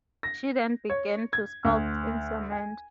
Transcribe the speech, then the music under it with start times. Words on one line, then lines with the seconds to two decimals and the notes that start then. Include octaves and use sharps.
She then began to sculpt in cement.
0.23 A#6
0.90 C#5
1.33 G#6
1.65 D2
2.52 G#5